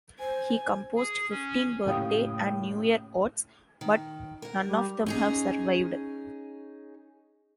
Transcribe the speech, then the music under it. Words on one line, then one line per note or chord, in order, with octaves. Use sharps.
He composed fifteen birthday and New Year odes, but none of them have survived.
C5 G#5
G#4
C#4
F#1 A2 G4 F5 G5 D#6
D#3
A#4 F#5
G3
C#4 D#4 G#4